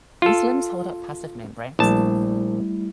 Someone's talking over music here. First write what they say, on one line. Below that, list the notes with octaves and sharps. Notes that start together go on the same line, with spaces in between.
These limbs hold up passive membranes.
F4 A4
A#1 G3 A3 E4 A5